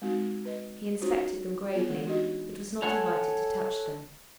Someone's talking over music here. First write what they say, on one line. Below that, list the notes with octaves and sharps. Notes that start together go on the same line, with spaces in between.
He inspected them gravely, but was not invited to touch them.
G#3 C4 D#4 F#4
B4 D#5
C#4 D#4 F4 F#4 C5 C#5
B3 F4 G#4 C#5 G5
E3 G#3 A3 D4
D#4 F#4 G4 D#5
A4 C#5 F#5 G#5 A5